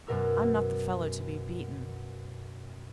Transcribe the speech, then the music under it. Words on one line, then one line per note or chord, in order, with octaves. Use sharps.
I'm not the fellow to be beaten.
F#2 B2 A#4 E6